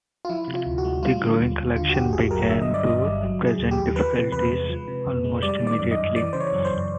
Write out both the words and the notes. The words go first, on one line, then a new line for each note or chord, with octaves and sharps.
The growing collections began to present difficulties almost immediately.
F4
F3 E4
C3
F4
D2
F#4
G#3
G3 F4
D3
D#2
D#2
D3 F4
F#4
G2 G4
G1 G#4
F#3 A#4
D3 E5
D#5
G2
D5
G1 D#5
G3
F#3
C#3
G#4
D#2
G4
D#2
F3 B4
C3
E2 B4
G#3
F3
C3
F2
G#3
G3 D5
D#3
D5
F#2
D#5
F#2
E3 D5
C#3 C5
C#5
F#2
C5
F#2